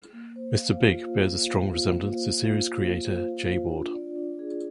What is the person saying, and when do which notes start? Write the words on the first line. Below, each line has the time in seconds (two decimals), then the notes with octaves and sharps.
Mr. Big bears a strong resemblance to series creator Jay Ward.
0.13 A#3
0.36 C5
0.58 F5
0.80 F4
1.03 A#3
1.26 C5
1.48 F5
1.70 F4
1.93 A#3
2.15 C5
2.38 F5
2.59 F4
2.82 A#3
3.04 C5
3.27 F5
3.49 F4
3.72 D4
3.94 D5
4.16 D4
4.39 G#4